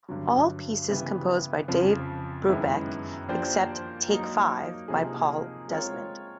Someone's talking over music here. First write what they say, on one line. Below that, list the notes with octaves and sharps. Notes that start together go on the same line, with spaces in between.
All pieces composed by Dave Brubeck, except "Take Five" by Paul Desmond.
G2 D3 F#3
C#3 E3 G3 B3
F2 C#3 F3
F#2 D#3 G#3 B3 E4
F3 A#3 D4 G4 C5
F#3 A#3 D#4
C3 F3 A#3 D#4 G#4
G#3 C4 F4 A#4 C#5